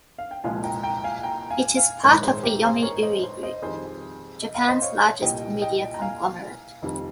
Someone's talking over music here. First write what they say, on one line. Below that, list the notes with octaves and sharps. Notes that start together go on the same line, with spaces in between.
It is part of the Yomiuri Group, Japan's largest media conglomerate.
F5
G5
C2 A#2 F3 G#3 F5 G#5
G5 A#5
G5 A#5
F5 G#5
G5 A#5
F5 G#5
F5 G#5
A#1 G#2 D#3 G#3 A#4 C#5
G#4 C5
G4 A#4
G#4 C5
A#4 C#5
C5 D#5
C5 D#5
C5 D#5
F2 D#3 G3 G#4 C5
D#5
F5
C5 D#5
C#5 F5
C2 A#2 G3 D#5 G5
D#5 G5
A#5
F5 G#5
F1 F2 D#3 G3